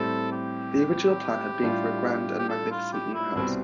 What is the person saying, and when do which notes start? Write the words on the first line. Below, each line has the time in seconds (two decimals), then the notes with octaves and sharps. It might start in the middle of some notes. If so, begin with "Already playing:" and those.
The original plan had been for a grand and magnificent new house.
Already playing: A2 G3 C4 A4
0.32 G4
1.62 A2 G3 D4 F4
2.39 G4
2.49 A4
2.71 F4
2.93 G4
3.14 E4
3.35 C2 B2 G3 C4 E4